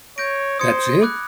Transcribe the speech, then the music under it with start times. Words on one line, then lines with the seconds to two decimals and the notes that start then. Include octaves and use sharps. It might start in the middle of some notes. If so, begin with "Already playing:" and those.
That's it?
0.18 C#5 G6 A#6 D7
0.59 C5 D#6 G#6 C#7
1.01 B5 D6 F#6